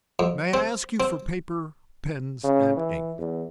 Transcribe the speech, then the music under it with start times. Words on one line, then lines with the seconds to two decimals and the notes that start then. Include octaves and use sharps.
"May I ask you for paper, pens, and ink?"
0.19 F2
0.54 C4
1.00 C4
2.44 C#3
2.77 E3
3.18 E2